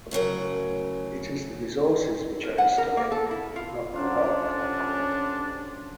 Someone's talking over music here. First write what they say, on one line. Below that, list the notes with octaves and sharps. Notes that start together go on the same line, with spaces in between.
It is the resources which are historic, not the park.
A2 C#3 F#3 A#4
A#4
F#5
A#4
A#3
A4
E4
F4
F2 C3 F#3 C#4 D4 F4 C5